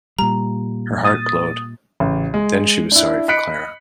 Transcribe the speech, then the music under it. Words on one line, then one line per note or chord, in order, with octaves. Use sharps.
Her heart glowed; then she was sorry for Clara.
A#2 G3 A#5
D#6 A6
A1 C#3
G#3
D4 E4
D#5 B5 F#6 B6 C#7 D7